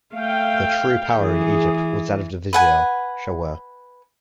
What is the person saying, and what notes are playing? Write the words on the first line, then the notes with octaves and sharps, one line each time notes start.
The true power in Egypt was that of the vizier, Shawar.
A3 F5 G5
E3 G#4
B4 F#5 G#5